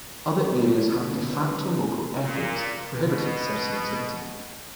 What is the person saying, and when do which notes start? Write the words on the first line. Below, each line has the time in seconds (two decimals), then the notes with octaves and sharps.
Other areas have "de facto" local ethics prohibiting certain activity.
0.24 D3 G3 A3 C#4 D#4 B4
2.22 A#2
3.03 B2